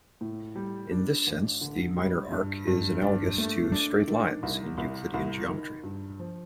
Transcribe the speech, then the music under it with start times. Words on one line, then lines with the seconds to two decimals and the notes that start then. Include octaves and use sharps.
In this sense, the minor arc is analogous to "straight lines" in Euclidean geometry.
0.21 A2
0.55 G3
0.91 D4
1.27 A1
1.61 D3
1.96 G3
2.32 G2
2.67 G2
3.02 D4
3.38 A3
3.72 D4
4.08 D#3
4.43 C2
4.78 C2
5.14 C2
5.49 D#3
5.83 G2
6.20 F3